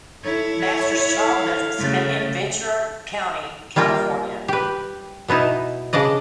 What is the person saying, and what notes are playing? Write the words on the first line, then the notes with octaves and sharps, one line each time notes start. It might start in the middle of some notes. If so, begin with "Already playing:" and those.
Masters' childhood was spent in Ventura Country, California.
E4 A4 C#5
A4 F5
C#3 A3
G3 A#3 F4 A#4 G5
G4 B4
B2 B3 D#4 E4
C#3 D4 D5 D#5